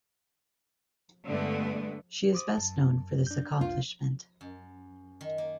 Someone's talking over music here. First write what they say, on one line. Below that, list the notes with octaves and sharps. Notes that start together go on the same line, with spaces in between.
She is best known for this accomplishment.
G2 D3 G#3 A3 B3
C5 D6 D#6
F#2 A5
D4 G6
F#1 C2 F4
F#2
D#3
A#3